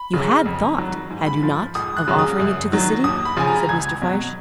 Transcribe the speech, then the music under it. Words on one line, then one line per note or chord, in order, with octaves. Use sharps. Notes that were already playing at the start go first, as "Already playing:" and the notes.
"You had thought, had you not, of offering it to the city?" said Mr. Fyshe.
Already playing: B5
C#3 F#3
F2
D#3 F#3
G#2
B5
F3
C#2 D#6
F#6
C#3 F#3
D#6
F#2
D#3 F#3
D#2 D#6
B5
C#3 F3 G#5
A#5
C#2 G#6
B2 F#3